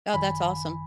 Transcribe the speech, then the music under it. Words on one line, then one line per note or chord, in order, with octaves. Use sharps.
Oh, that's awesome.
G#1 F#2 D#3 G#5 B5